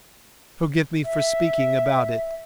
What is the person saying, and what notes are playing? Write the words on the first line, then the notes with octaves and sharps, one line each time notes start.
Forgive me for speaking about it.
E5